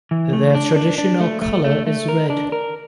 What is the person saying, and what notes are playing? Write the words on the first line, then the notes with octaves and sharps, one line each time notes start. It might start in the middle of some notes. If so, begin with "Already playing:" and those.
Their traditional colour is red.
E3
A3
D4
D4
D4
A3
A3
A3
A3
A#4
D4
A#4